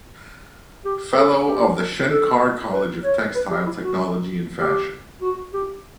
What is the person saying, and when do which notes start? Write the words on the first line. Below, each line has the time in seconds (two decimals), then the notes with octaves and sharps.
Fellow of the Shenkar College of Textile Technology and Fashion.
0.85 G4
1.16 A4
1.47 G4
2.10 A4
2.72 B4
3.04 C#5
3.35 B4
3.50 G4
3.66 E4
3.81 F#4
4.60 G4
5.22 F#4
5.53 G4